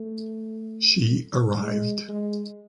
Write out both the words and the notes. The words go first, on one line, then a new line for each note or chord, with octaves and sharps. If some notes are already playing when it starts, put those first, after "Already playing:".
She arrived.
Already playing: A3
G#3
G#3